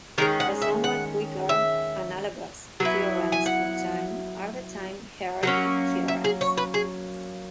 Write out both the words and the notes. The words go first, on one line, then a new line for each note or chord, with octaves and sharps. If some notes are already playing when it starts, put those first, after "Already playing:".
The somewhat weaker analogous theorems for time are the time hierarchy theorems.
D#3 G#3 C#4 A#4
F#5
E5
F#5
E5
F#3 B3 E4
G#5
F#5
F#3 A#3 C#4 F#5
E5
G#4
C#5
B4
G#4